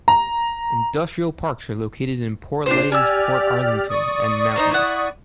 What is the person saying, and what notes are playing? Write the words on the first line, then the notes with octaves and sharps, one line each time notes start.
Industrial parks are located in Portlaoise, Portarlington and Mountmellick.
A#5
A#2 D4 G4 C5
G4 D5 G#5 E6 F6
D5 C#6 D#6
D#4 C5 A#5
E4 F#5